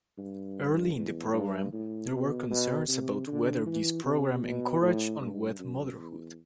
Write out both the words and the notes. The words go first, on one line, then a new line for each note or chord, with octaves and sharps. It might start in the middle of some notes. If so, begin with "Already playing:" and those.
Early in the program, there were concerns about whether this program encouraged unwed motherhood.
G2
E2
G2
A2
B2
B2
C3
D3
E3
C3
B2
A2
G2
F#2
E2